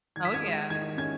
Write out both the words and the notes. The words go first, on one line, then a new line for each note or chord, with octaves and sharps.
Oh, yeah.
D#3 G#6
B6
G#6
G#3
D#3 G#6
C#4 G#6